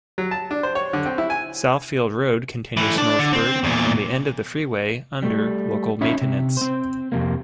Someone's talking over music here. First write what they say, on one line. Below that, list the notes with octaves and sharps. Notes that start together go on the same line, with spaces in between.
Southfield Road continues northward from the end of the freeway under local maintenance.
F#3
A5
D4
C5
C#5
D3
C4
E4
G#5
E3 A3
D4
D3
C4
E2 A#2
G3 A3
C#4 D#4 E4 C#5 E5
C3
C4 C5
F2 C3 A#3